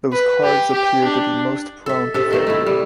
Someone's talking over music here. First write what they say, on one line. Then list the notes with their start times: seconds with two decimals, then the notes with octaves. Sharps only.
Those cards appear to be most prone to failure.
0.13 B4
0.43 G4
0.73 G4
1.04 D4
1.86 A4 E5
2.14 C3 A4 E5
2.31 D#3 A3 A4
2.47 A3 E4
2.67 G3